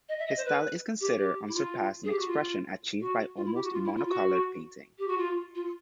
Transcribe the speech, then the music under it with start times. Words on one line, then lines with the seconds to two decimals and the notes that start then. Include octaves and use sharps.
His style is considered unsurpassed in expression achieved by almost mono-colored painting.
0.09 D#5
0.19 E5
0.27 D#5
0.37 C5
0.45 B4
1.01 G4
1.19 G4
1.48 E4
1.54 F4
2.04 G#4
2.11 G4
2.19 F#4
2.28 F4
3.00 F#4
3.37 F4
3.45 E4
3.54 G4
3.64 F#4
3.73 F4
3.85 E4
3.97 F4
4.08 F#4
4.99 G4
5.08 F#4
5.18 F4
5.55 F4